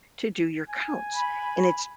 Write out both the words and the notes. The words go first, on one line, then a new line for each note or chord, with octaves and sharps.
to do your counts. And it's
G#5
B5